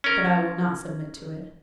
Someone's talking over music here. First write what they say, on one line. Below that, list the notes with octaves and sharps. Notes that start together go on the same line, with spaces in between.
But I will not submit to it.
C#4 A#4